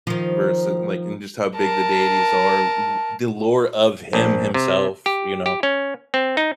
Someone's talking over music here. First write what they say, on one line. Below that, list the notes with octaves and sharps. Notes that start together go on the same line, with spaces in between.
versu and, like, and just how big the deities are, th the lore of him himself, you know,
D#3 F3
A#4 A5
A#1
C3
G4
G4
C#4
C4
D#4